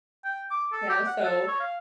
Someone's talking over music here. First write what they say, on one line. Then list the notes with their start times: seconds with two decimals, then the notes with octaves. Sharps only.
yeah, so
0.24 G5
0.51 D6
0.72 A4
0.89 G4
1.07 F#5
1.24 A4
1.48 C#5
1.60 F5